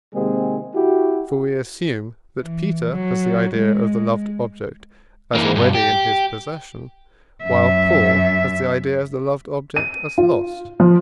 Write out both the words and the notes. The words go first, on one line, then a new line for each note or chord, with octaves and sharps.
For we assume that Peter has the idea of the loved object as already in his possession, while Paul has the idea of the loved object as lost.
C3 D#3 G#3 A#3 C4 G#4
E4 F#4 G4
E3
F#3
G#3
E3 A#3
G2 B2
G4
F#2 E5
D#7
F4
F3